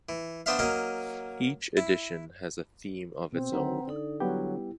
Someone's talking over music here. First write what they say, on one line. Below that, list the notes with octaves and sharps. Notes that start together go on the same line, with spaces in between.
Each edition has a theme of its own.
E3
B3 D4 C5 E5 F5
F#3 A#3 C#4 D#5 F5
E4
B2 C4
D3 D#3 F#3 B4 F#5 A#5
D3 D#4 A4 D5
F#3 G3 B3 E4 G4